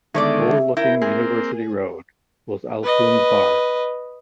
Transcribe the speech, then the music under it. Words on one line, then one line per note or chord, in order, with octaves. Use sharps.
Overlooking University Road was Alcuin's bar.
D3 D#3 G#3 A3 B3 C#5 D5
E5
E4 A#4 G5 A#5
A#3 C4 G#4
B4 D#5